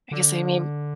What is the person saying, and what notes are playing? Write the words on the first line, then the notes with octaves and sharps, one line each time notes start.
guess I mean
D3